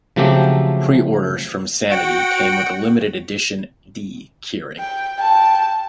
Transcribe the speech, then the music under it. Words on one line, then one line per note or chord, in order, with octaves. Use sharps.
Pre-orders from Sanity came with a limited edition 'D' keyring.
C#3 F3 F#3 A3 C4 G4
F#4 F#5 G5
G5
G5 A5